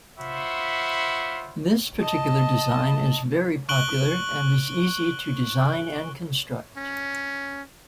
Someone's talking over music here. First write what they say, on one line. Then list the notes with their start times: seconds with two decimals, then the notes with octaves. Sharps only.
This particular design is very popular and is easy to design and construct.
0.18 F4 C5 E5 F#5 B5 C#6
2.01 D#5 A5
3.69 C#6 F#6 D7 F#7 G7
6.77 C#4